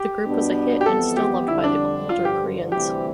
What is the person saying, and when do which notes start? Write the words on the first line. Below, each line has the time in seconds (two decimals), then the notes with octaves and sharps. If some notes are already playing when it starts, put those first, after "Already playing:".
The group was a hit and is still loved by the older Koreans.
Already playing: G4
0.25 B2 G3 B3 D4
0.81 G4
0.85 F2 E3 G3 B3 A4
1.17 G4
1.48 F2 D3 G3 E4
1.64 D4
2.09 G2 D3 F3 F4
2.25 G4
2.72 D2 C3 E3 G3 C4 G4